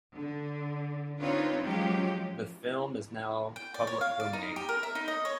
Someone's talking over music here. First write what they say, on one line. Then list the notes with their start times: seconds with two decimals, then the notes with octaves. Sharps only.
The film is now public domain.
0.14 D3
1.20 C4 D4 D#4 F4 B4 C#5
1.64 F3 F#3 G#3 C#4 F4 G4
3.56 G5
3.74 D5
3.87 C#5
4.01 F5
4.20 D5
4.33 D#4
4.56 G4
4.69 A#4
4.83 E5
4.95 D#4
5.08 D#5
5.25 C#5